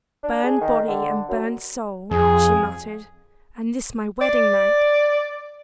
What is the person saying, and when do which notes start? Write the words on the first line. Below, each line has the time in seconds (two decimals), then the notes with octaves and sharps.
"Burned body and burned soul," she muttered, "and this my wedding night!"
0.23 D4
0.44 G#4
0.61 D#3
0.88 D3
1.29 F#2
2.11 F2 G#4
4.21 D5